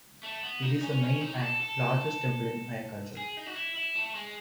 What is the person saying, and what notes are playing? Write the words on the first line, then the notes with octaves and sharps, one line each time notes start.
It is the main and largest temple in Ayacucho.
A3
B3
D#4
C#4
C#4
D#4
A4
A4
G#4
D#4
F#4
E4
E4
A3
G#3